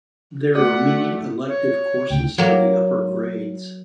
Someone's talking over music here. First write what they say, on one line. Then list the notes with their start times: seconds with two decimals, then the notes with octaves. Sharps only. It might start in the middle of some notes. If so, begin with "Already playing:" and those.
There are many elective courses for the upper grades.
0.55 A3 F#4 D5 F#5 D6
1.49 C#5
2.10 D2 C#3 G5
2.38 F#3 A#3